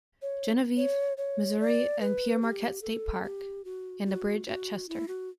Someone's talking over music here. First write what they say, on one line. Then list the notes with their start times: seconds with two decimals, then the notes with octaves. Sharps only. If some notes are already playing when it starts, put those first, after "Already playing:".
Genevieve, Missouri and Pere Marquette State Park, and a bridge at Chester.
0.22 C#5
0.77 C#5
1.17 C#5
1.60 D5
2.01 B4
2.42 G4
2.82 A4
3.24 G4
3.65 F#4
4.05 F#4
4.46 F#4
4.89 E4
5.08 F#4